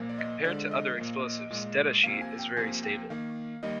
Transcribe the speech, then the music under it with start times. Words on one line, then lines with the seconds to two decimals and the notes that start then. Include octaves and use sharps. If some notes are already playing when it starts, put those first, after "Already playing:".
Compared to other explosives detasheet is very stable.
Already playing: A#2 F3 A#3
0.09 D5
0.18 D#5
0.44 D3 F3 G#3 D5
0.71 D#5
0.98 A#2 F3 A#3
1.50 A#2 G#3
2.04 C3 F3 A#3 F5
2.21 G#5
2.39 G5
2.56 C3 F3 A#3 G#5
2.84 G5
3.10 D#3 A#3 F5
3.63 D#3 G3 A#3 D#5